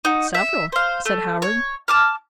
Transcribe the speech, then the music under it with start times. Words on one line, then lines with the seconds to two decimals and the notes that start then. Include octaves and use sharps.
"Several," said Howard.
0.05 D#4 F#4
0.35 E5
0.72 C5 F5
1.05 A3
1.42 C#5
1.88 A5 D6 F6